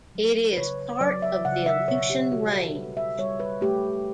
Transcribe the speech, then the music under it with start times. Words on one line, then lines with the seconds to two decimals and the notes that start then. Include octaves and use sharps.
It is part of the Aleutian Range.
0.15 F#3
0.53 B4
0.57 C#3 C#5
1.01 F#3 D5
1.22 E5
1.45 C#3 F#5
1.66 E5
1.88 B2 C#5
2.10 G4
2.31 G3 F#4
2.53 A4
2.75 G3 B4
2.97 E5
3.19 G3 C#5
3.40 B4
3.61 A3 G4